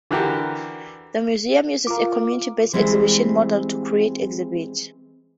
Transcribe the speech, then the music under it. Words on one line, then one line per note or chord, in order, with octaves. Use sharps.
The museum uses a community-based exhibition model to create exhibits.
D3 E3 F#4 G4 A#4
F4 A#4 D6
E3 G3 G#3 C4 E4